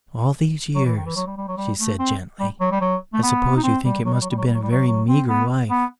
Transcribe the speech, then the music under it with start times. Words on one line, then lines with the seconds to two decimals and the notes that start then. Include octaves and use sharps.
"All these years," she said gently, "I suppose you think it must have been a very meagre life?"
0.75 F#3
0.86 E3
0.96 D#3
1.06 E3
1.16 F#3
1.27 G3
1.37 G3
1.48 F#3
1.57 G3
1.79 A3
1.99 C4
2.40 G3
2.60 F#3
2.71 G3
2.81 F#3
3.13 A3
3.23 B3
3.56 D#4
3.63 C4
3.84 G3
4.05 F#3
4.13 G3
4.22 F#3
4.30 G3
4.38 F#3
4.47 G3
4.54 F#3
4.62 G3
4.71 F#3
4.87 F#3
5.08 C4
5.29 B3
5.70 B3